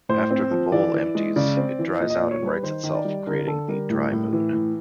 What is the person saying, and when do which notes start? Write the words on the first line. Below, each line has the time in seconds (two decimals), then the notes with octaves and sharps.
After the "bowl" empties, it dries out and rights itself, creating the "dry moon".
0.09 A2 C5
0.31 C4
0.51 F3
0.72 E3 D5
0.94 E3
1.15 G#3
1.36 C#3 D5
1.57 C4
1.79 E3
2.00 A#2 D#5
2.10 D#5
2.16 D5
2.21 A#2
2.31 C#5
2.42 G3 B4
2.63 D#3 C5
2.84 D#3
2.95 D5
3.05 G3
3.27 D3 A#4
3.47 D3 A4
3.68 G3 A#4
3.90 A2
4.12 A2
4.33 E3
4.53 A2